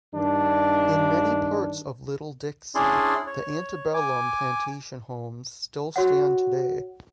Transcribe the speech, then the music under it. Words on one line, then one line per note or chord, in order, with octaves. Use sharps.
In many parts of Little Dixie, the antebellum plantation homes still stand today.
G2 D#3 D4
C#4 D4 E4 G#4 D5 C6
C#5
G#5 D6
F#4 C#5 F#5